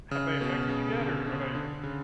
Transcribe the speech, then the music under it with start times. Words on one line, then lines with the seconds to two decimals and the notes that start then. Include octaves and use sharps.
have they affected you yet, or are they
0.11 C#3
0.41 B2
0.69 C#3
0.98 D3
1.26 D3
1.55 D3
1.83 C#3